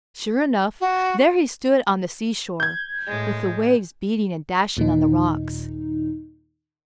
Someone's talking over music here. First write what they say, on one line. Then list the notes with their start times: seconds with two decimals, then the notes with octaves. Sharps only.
Sure enough, there he stood on the sea-shore, with the waves beating and dashing on the rocks.
0.81 F#4
2.60 G6 G#6
3.07 A2 G#3
4.77 D#2 A#2 D#3 D#4